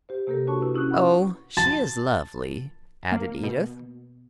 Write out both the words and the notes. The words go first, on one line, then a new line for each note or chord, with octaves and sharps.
"Oh, she is lovely," added Edith.
G4 C5
C3 A#3 G4 A4 A#4
D4 F#4 C#5 A5 C#6
E4 B4
C#4 E4 D#6 F#6
F#5 B5 C#6
A5
A#3
B2